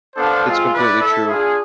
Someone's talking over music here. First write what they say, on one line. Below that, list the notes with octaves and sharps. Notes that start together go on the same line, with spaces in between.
It's completely true,
B3 D4 A4 C5 F5
G#3 C4 F4
E4 B4 D5
E4 A4 E5
D4 F4 G#4